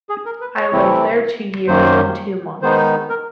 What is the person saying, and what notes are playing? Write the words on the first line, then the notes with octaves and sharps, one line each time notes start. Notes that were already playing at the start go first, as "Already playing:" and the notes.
I lived there two years and two months.
G#4
A#4
B4
C#5
C3 E3 A3 C4 E4
F#2 D#3 F#3 A#3 C5
D#3 G#3 B3 D#4 C5
A#4